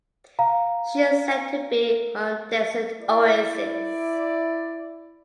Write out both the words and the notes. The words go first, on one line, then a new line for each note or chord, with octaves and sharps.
She is set to be on desert oasis.
F5 A#5
E4 D5